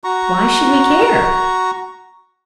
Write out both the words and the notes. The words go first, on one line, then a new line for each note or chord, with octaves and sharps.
Why should we care?
F#4 A#5 C#6